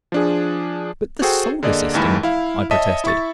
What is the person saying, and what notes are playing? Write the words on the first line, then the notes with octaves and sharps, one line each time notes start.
"But the Solar System!" I protested.
F3 D4 G#4
F#4 G#4 A4 C5 G5
D3 A#3 G#4 D5 D#5
A1 D#2 E3 G#3 B5
E4 F5
C#5 D#5 E5 A5 D#6 B6
E4 E5 C#6 A6